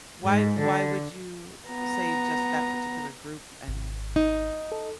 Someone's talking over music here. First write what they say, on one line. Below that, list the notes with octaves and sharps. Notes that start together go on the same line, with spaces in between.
why why would you say just that particular group and,
G#2
D3
B3 A#5
G#1
D#4
A4